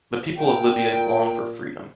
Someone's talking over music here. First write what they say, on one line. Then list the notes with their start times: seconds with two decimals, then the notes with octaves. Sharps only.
The people of Libya long for freedom.
0.36 A#2 G5